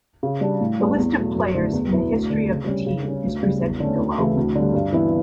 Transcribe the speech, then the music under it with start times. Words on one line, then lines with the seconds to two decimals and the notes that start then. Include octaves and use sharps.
The list of players in the history of the team is presented below.
0.23 C#3
0.41 G3 D4
0.61 A2
0.80 G3 B3 D4
0.98 E2
1.16 B2 F#3 A3
1.36 F#2
1.54 D3 A3 E4
1.73 E2
1.92 B2 F#3 B3 E4
2.12 D2
2.30 D3 A3 D4
2.49 C#3
2.68 G3 C#4
2.86 C#3
3.05 G3 C#4
3.24 D2
3.43 C#3 G3
3.61 E2
3.80 D3 A3 C#4
3.99 D2
4.18 C#3 E3 A3 E4
4.37 D2
4.55 D3 G3
4.74 G2
4.93 E3 B3 E4